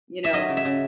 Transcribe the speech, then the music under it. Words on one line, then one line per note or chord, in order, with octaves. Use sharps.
you know
E5
F#3 D#5
C#3
E5
C#3